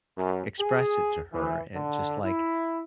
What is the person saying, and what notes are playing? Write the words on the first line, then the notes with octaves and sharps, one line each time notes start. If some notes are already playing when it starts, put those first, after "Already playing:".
express it to her, eh, just like,
F#2
G#4
E3
D3
E4